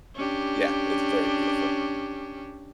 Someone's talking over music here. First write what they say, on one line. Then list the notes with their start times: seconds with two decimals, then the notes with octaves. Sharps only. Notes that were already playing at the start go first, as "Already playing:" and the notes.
Yeah, it's very beautiful.
0.15 C#4 D4 G4